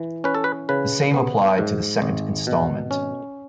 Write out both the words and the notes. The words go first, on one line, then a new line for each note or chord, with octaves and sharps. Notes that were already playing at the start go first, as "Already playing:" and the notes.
The same applied to the second instalment.
Already playing: E3
C#4 B4
A4
B4
C#3 B4
B3
G#2
G#1
B2
C#4